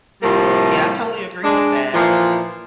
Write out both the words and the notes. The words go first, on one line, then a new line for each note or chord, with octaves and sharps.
Yeah, I totally agree with that.
A2 C3 F3 G3 A#3
G#3 D4
A#2 E3 F3